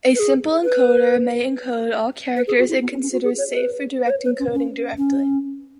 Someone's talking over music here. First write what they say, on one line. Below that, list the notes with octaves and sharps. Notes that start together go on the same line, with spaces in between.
A simple encoder may encode all characters it considers safe for direct encoding directly.
B4
G#4
B4
B4
G#4
F#4
E4
B3
C#4
C#4
F#4
G#4
C#5
B4
B4
C#5
B4
C#4
C#4
C#4